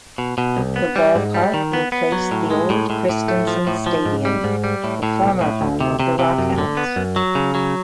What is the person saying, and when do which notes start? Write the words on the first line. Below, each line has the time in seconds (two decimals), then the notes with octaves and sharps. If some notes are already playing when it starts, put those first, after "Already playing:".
The ballpark replaced the old Christensen Stadium, the former home of the RockHounds.
0.18 B2
0.38 B2
0.57 C2
0.76 B3
0.96 G3
1.15 G#2
1.34 G3
1.54 D#3
1.73 B3
1.92 B3
2.12 F#3
2.31 A2
2.51 G#3
2.70 A2
2.90 A2
3.09 A2
3.28 A3
3.47 F3
3.67 A2
3.86 F3
4.06 G#2
4.25 G3
4.44 G#2
4.64 G3
4.84 A2
5.03 A2
5.22 B1
5.41 A2
5.61 D2
5.80 C3
6.00 C3
6.19 C3
6.38 F#2
6.58 D3
6.77 B3
6.96 F#2
7.16 F#3
7.35 C#3
7.55 F#3